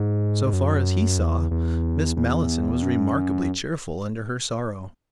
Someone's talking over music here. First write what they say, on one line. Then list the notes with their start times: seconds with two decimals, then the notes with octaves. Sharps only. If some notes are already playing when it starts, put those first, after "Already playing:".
So far as he saw, Miss Malleson was remarkably cheerful under her sorrow.
Already playing: G#2
0.46 G#2
0.53 F#2
1.18 E2
1.51 E2
2.17 E2
2.82 F#2